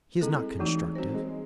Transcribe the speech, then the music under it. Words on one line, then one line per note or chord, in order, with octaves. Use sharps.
He is not constructive.
G#3 C4 E4 A4
E3 F#3 A3 D#4 F#4
G#3
F#3 C4 F#4 C5
G#3